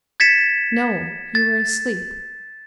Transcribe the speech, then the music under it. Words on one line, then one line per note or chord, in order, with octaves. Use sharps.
"No, you were asleep."
G#6 A6 B6 C#7 E7
A6